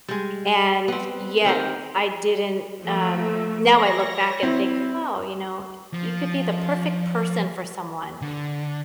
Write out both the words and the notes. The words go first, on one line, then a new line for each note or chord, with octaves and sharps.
and yet I didn't, um now I look back and think, "Wow," you know, "you could be the perfect person for someone,
G3 G#3
B3 C4
D#3 C4 G4 A#4
F3 A3 A#3
C#5 A#6
C4 E4
F3
D3